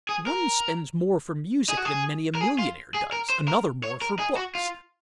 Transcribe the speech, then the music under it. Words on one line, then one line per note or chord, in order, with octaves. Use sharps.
One spends more for music than many a millionaire does; another more for books.
G#4
A#4
G#4
F#4
G#4
A#4
G#4
F4
G#4
A#4
C5
A#4
C#5
A#4
G#4
F#4
F4